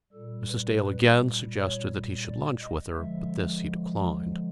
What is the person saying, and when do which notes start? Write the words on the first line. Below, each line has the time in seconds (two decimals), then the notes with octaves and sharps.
Mrs. Dale again suggested that he should lunch with her, but this he declined.
0.13 A#2 G3 A4
0.47 B4
0.83 B4
1.54 C#5
2.23 D5
2.60 D#5
2.95 D3 F3 G#3 E5